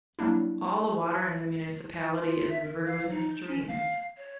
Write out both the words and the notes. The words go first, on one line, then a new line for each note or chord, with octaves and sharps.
All the water in the municipality is in rivers and streams.
F#3 G3 A#3 D4 E4
F4
E5
A#4
F5
D#4
C#4
F5
C#5